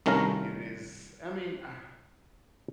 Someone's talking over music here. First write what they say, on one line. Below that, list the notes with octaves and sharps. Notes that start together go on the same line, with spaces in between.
It it is I mean, um,
C2 D#3 A3 C#4 F5 A#5